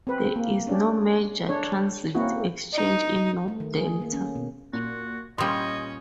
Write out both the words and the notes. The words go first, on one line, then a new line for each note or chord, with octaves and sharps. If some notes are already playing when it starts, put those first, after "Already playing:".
There is no major transit exchange in North Delta.
C4 B4
A#3
C#4 D4 G4
D4 C#5
A#3 C4 C#4 E4 F#4
D#4
A3
D#3
G#4
A#3
C#4
B2
A#2 F#4
A#2 G3 C#4 D#5 C6 D#6 G6